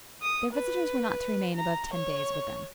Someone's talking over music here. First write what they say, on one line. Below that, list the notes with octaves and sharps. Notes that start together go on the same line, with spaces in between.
Their visitors were not to remain above ten days with them.
D#6
B4
A#5
C#5